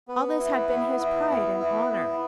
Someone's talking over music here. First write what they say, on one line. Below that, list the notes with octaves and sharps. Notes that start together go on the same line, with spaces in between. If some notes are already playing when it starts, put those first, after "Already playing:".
All this had been his pride and honor.
B3 B4
E4
B3
E4
B3
E4
B3